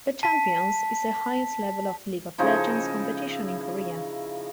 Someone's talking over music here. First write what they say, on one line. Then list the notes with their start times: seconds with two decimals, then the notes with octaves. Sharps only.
The Champions is the highest level of "League of Legends" competition in Korea.
0.23 A5 B6
2.38 C#3 F3 D#4 E4